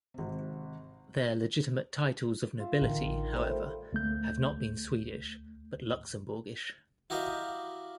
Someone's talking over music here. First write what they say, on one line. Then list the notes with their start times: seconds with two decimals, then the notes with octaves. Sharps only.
Their legitimate titles of nobility, however, have not been Swedish but Luxembourgish.
0.14 G#1 C3
2.60 F4 E5
2.81 A1 D3 D#3
3.33 G3 A3 A4 C5
3.93 D2 A3 G6
7.10 E4 F#4 G4 A#4 D#5 F5